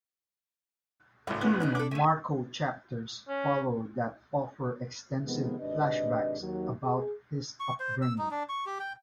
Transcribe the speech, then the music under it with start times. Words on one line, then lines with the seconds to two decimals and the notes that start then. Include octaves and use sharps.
Two "Marco" chapters follow that offer extensive flashbacks about his upbringing.
1.27 G#1 C#2 A2 F3
1.41 G#3 B3 C#4 B4
1.60 D4 D#4 G#4
1.75 D4 E4 A4 D6
1.91 C#3 A3 E5 G#5
3.28 C#4
5.25 C3 D#3 F3 G#3 B3
5.60 G#1 C3 D4 B4 D#5
6.41 D#2 D#3 F#3
6.84 G#4
7.60 C#6
7.80 C5
8.02 E6
8.18 D#4
8.31 D4
8.49 C#6
8.66 G4
8.80 G5